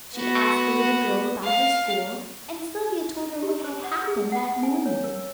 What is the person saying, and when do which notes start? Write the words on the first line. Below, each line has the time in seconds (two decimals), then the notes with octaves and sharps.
She asked the little girl about her school and Sylvia told her what had happened that morning.
0.17 B3 F#4
1.44 F5
3.42 G4
3.64 C5
3.84 F#5
4.07 G#4
4.32 F#5
4.63 G#5
4.86 C#5
5.04 A#4